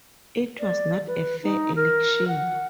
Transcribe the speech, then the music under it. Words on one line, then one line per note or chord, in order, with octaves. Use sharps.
It was not a fair election.
D5
B4
D#4
A#4
F#5